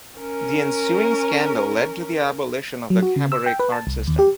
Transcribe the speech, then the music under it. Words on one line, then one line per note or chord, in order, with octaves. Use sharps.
The ensuing scandal led to the abolition of the cabaret card system.
C#4 A#4
F#3
F#4
C#3
E6
G5
B4
A5
C2
D#2
G4